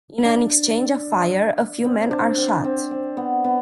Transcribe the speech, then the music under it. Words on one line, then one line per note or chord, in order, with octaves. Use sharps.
In an exchange of fire, a few men are shot.
D4
C4
D4
C4
C4
C4
B3
B3